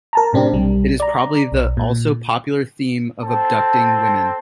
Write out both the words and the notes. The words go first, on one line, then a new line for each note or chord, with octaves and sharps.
It is probably the also popular theme of abducting women.
A#4 A5 A#5
A2 C3 C4 D4 G4
B1 G3
D5 A#5
B1
A#2
C4 A4 A5